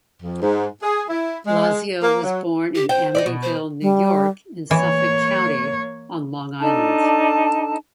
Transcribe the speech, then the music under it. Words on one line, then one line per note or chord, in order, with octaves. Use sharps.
Lazio was born in Amityville, New York, in Suffolk County, on Long Island.
F2
G#2
G#4
E4
G#3
A#3
F#3
G4
C5 G5
D#4 B4 D5
B2
C5
G3
E3 A#3 C#5
D4 D#4 A4 A5